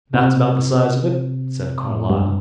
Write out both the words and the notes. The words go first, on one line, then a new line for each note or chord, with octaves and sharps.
"That's about the size of it," said Carlyle.
C3
A2
G2